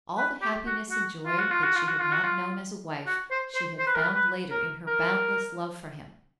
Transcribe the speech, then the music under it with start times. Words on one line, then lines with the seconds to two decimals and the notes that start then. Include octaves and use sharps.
All the happiness and joy that she had not known as a wife, she had found later in her boundless love for him.
0.18 B4
0.42 G4
0.66 F#4
0.91 F#4
1.26 F4
1.39 F#4
1.51 F4
1.63 F#4
1.75 F4
1.87 F#4
1.99 F4
2.12 F#4
2.23 F4
3.07 F#4
3.31 C5
3.55 C5
3.79 C5
3.87 B4
3.95 A#4
4.03 B4
4.15 B4
4.51 A#4
4.87 A#4